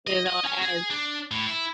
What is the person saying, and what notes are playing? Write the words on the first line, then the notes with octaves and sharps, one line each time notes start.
You know, as
D#5
D#5
C#4
G#4
D4
A2
E4